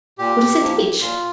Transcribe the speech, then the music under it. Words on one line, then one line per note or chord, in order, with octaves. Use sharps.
What does it teach?
A#2 G4
F3 A#3
A#2 F4